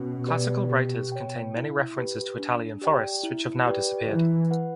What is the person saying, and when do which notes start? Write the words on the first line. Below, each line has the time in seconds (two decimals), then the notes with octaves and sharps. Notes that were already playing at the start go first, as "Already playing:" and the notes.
Classical writers contain many references to Italian forests which have now disappeared.
Already playing: B2 C#4
0.27 G4 B4 D5
0.70 G4
1.12 C#5 G5
1.55 E4
1.97 G4 B4
2.39 D4
2.82 G4 D5 G5
3.23 E4
3.66 G4 B4 D5 G5
4.08 E3 E4
4.51 B4 F#5